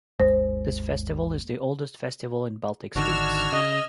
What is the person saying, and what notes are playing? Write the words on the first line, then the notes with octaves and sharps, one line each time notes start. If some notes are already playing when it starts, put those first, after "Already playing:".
This festival is the oldest festival in Baltic states.
G#1 D#2 G#3 C5
G#1 D3 D#3 D4 F#4 E6 F6 G#6
C#3 D#5